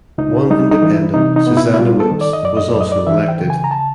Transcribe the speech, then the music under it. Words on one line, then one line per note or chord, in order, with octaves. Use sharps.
One independent Susannah Whipps was also elected.
C#2 D#4
G3 D#4
D#4
E3
E4
C3 D#4
D#4
B3
E4
E4
G3 F4
A4
D#3
D5
D#5
F#2 D5
D#5
D5
F#2
D#5
D5
E3 E5
G5
C#3
G#5
A#5
A5